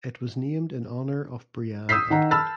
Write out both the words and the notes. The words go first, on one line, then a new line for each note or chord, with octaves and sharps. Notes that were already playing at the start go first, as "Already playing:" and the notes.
It was named in honor of Brianne Atwood.
D#6 E6 G6 B6 C7
D#3 F#5 A#5
A5 B5 E6 F6 A6